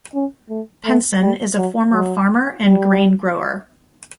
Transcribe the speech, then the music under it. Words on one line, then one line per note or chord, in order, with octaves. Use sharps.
Penson is a former farmer and grain grower.
C#4
A3
A3
G3
F#3
F#3
G3